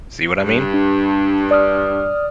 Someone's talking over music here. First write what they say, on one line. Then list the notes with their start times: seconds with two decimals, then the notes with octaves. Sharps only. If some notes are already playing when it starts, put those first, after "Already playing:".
See what I mean?
0.38 G2
0.74 D4
1.51 D5 D#6 F6